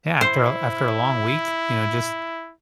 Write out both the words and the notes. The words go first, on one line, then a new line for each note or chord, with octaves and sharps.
Yeah, after a after a long week, you know, just,
E4 C5